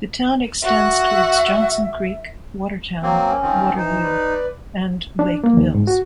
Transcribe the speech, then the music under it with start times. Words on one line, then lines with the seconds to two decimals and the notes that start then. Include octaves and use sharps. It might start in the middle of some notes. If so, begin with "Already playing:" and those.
The town extends towards Johnson Creek, Watertown, Waterloo, and Lake Mills.
0.63 F#4 E5
3.02 F#3 A#3 C4
3.23 C#4
3.42 D#3 F3 C4
3.76 E3 D#4 C5
4.02 B4 D5
5.19 D4
5.44 A#3
5.57 D#2
5.74 G#2
5.87 F#4